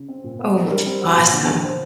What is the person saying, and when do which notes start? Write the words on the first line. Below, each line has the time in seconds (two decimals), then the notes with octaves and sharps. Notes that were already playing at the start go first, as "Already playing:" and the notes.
Oh, awesome.
Already playing: C#3
0.09 C4
0.24 A#2
0.39 B3
0.55 D4
0.66 A4
0.71 G3 A#4
0.86 C4
1.02 F#3
1.17 A#2
1.33 D3
1.48 D3
1.64 C5